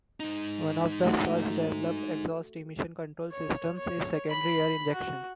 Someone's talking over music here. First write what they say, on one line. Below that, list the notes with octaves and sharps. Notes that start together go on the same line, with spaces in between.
One of the first-developed exhaust emission control systems is secondary air injection.
G#3 D#4
A3 F#4
C#5
C#5
B5
F#4